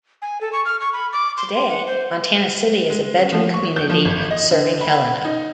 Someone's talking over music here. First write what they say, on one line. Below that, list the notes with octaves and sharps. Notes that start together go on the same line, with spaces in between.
Today, Montana City is a bedroom community serving Helena.
G#5
A4
C#6
F6
C#6
B5
D6
C6
F#5
C5
G#3
C#4
F3
C#6
G6
F3
G#1
D#5
D3
B5
D#4